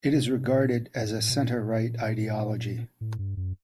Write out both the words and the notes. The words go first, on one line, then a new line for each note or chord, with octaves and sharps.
It is regarded as a centre-right ideology.
C3
A#2
G#2
A2
B2
A#2
A2
G2
F#2